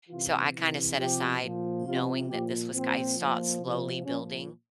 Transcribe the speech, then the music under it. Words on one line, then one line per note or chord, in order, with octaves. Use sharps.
So, I kinda set aside knowing that this was c I saw it slowly building
C3 E3 F4
C3 E3
C3 F3 G4
A#2 F3
C3 F3 F4
A#2 F3 G4
A#2 F3 C4
A#2 F3
C3 F3
A#2 F3 C#4